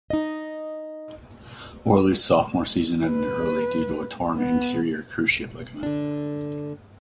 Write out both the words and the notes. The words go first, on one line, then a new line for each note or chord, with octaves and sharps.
Worley's sophomore season ended early due to a torn anterior cruciate ligament.
D#4 D#5
B4
B3
D3 D4